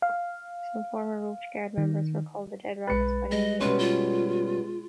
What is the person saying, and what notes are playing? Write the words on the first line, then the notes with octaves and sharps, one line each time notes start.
Some former Roach Guard members were called the Dead Rabbits by the media.
F5
D#3
B1 G#3 B4 A6 C#7
G#3 G#4 D#5
B2 G3 B3 C#4 B4 C6
F4